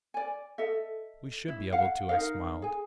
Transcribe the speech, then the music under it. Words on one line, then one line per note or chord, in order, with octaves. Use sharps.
"We should be able to," I smiled.
D5 G#5
A4 D#5 E5
E4
F5 F#5
D#4 A#4 F5
G#4 G#5